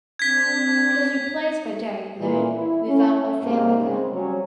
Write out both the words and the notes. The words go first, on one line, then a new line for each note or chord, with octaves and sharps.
He was replaced by Derek "Blue" Weaver of Fair Weather.
C4 D4 G#6 B6
A#2 E3
E4
C#4
G#2 C3 A#3
C#3 G#3 C4
F#3 G3 C#4